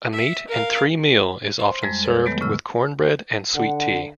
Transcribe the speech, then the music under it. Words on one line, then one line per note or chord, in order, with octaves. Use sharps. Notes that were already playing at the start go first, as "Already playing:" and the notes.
A meat-and-three meal is often served with cornbread and sweet tea.
E5
A#4 F5
C5 C6
F2 G3 G#3 A#5
A4 B4 C#5
D#3 F#3 G#3 A3 B3
A2 C#3 E6
D3 F#5